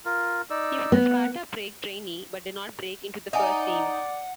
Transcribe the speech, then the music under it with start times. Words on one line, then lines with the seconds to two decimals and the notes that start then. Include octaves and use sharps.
He was a Sparta Prague trainee, but did not break into the first team.
0.05 F4 A#4
0.50 D#4 D5 E6
0.92 B3
1.10 F#5
3.33 D#4 D5 E5 F#5 G#5